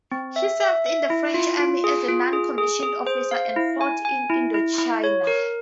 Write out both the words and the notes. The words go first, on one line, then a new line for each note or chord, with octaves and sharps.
He served in the French Army as a non-commissioned officer and fought in Indochina.
C4
E5
E5
E5
E4
F4
F4
G#4
F4
G#4
G#4
G#4
C5
F5
E4
G#5
G#5
E4
E4
E4
C#5
A#4